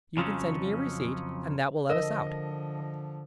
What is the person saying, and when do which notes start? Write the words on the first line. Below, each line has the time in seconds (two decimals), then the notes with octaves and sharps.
You can send me a receipt and that will let us out.
0.17 F2 C#3 F3 F#3 C#4
1.90 D3 F3 A#4 D#5